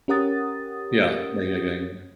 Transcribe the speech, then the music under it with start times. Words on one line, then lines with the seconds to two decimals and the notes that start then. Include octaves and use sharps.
Yeah. Yeah, yeah, yeah, yeah.
0.08 C#4 G4 A#4 F#5 D#6 A6